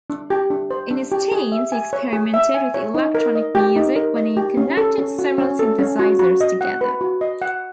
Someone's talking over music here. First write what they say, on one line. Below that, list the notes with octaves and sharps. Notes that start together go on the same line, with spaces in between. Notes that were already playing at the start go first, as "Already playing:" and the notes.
In his teens he experimented with electronic music when he connected several synthesizers together.
D4
G4
D4
C5
D4
G4
G#4
E5
G#5
C#5
G#4
E5
G#5
C#5
D#4
A#4
D#5
G4
D#4
A#4
D#5
G4
C#4
A4
C#4
F#4
C#4
A4
C#4
F#4
F#4
D#5
F#5
B4
F#4
D#5
F#5